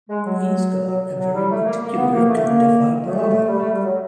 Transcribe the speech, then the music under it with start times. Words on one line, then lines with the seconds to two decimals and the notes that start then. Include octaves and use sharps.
He's got a very particular kind of vibrato.
0.10 G#3
0.26 F#3
0.88 F#3
1.19 F#3
1.34 G3
1.51 A3
1.65 A#3
1.81 A#3
1.97 B3
2.12 A#3
2.28 A3
2.44 A#3
3.07 A3
3.23 A3
3.38 A3
3.48 G3
3.59 A3
3.69 G3
3.85 F#3